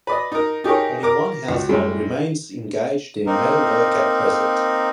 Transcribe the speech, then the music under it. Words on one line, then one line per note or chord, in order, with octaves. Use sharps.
Only one household remains engaged in metalwork at present.
B4 D5 D#5
D#4 A#4
D#4 G4 G#4 A#4 C#5
A#4 D6
C#2 F#4
F#2 G3 G#3
A#3 C4 D#4 A#4